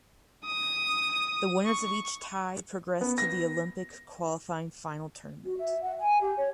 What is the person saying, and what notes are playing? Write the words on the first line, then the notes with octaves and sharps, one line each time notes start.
The winners of each tie progressed to the Olympic qualifying final tournament.
D#6
C#6
B3
A#6
F#4
E5
F#5
G#5
G4
C#5